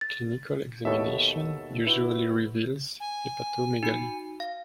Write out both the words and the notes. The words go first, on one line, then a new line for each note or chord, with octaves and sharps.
Clinical examination usually reveals hepatomegaly.
A6
D#2 B2 A4 C#5 E5
E4 F#4 B4
G#5
D#4 F#4 C#7
F5